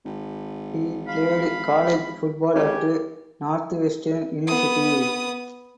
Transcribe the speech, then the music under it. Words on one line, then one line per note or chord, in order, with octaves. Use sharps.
He played college football at Northwestern University.
G#1
F5 B5
G#1 C#3 G4 G#5
B3 D#6